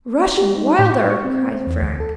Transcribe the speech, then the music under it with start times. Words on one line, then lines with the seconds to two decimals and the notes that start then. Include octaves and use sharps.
"Rush & Wilder!" cried Frank.
0.22 A#5
0.37 G4
0.57 D#4
0.79 A2
0.91 C#6
1.10 C#6
1.24 C4
1.55 C4
1.67 E2
1.82 D2
2.00 A4